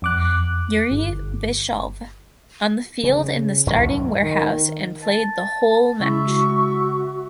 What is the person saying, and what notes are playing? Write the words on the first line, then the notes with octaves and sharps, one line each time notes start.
Yuriy viyshov on the field in the starting warehouse and played the whole match.
F2 D6 F#6
G1
C#3
C2 F#2 A2 D#3
D#3
A5
C#3 G#3 E4 E5 C#6
F#4